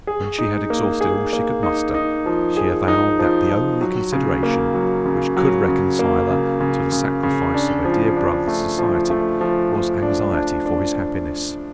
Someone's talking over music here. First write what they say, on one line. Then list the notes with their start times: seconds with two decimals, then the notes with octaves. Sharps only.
When she had exhausted all she could muster, she avowed that the only consideration which could reconcile her to the sacrifice of her dear brother's society was anxiety for his happiness.
0.07 G#4
0.38 D#4
0.70 A#3
1.01 G#4
1.33 A#3
1.63 D#4
1.94 D#4
2.26 F3
2.57 G#4
2.88 D#4
3.19 F3
3.50 F3
3.81 F#3
4.13 C#3
4.43 A#3
4.74 F#3
5.06 C#3
5.37 F#3
5.68 C#3
5.99 A#3
6.30 C#3
6.61 C#3
6.92 C#3
7.23 C#3
7.54 D4
7.85 F3
8.17 D4
8.48 A3
8.79 F3
9.10 A3
9.41 F3
9.73 F3
10.03 D4
10.34 D4
10.66 D4